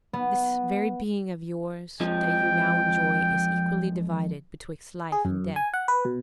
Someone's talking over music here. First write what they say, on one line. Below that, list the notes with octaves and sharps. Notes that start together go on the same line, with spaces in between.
This very being of yours that you now enjoy is equally divided betwixt life and death.
B3
F2 F3 G#3 G5
G#4
F#2
G#5
F#5
B4
B2